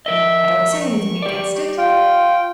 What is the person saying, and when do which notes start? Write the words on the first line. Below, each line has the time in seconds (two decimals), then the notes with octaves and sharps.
I don't say anything against it.
0.06 F3 A#4 D#5 E5
0.73 C#6
1.22 G4 D5
1.78 F4 G5